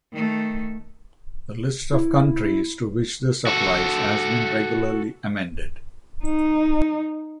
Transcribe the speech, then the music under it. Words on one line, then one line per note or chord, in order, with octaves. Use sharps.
The list of countries to which this applies has been regularly amended.
D#3 A3
E4
F#4 A4
D#4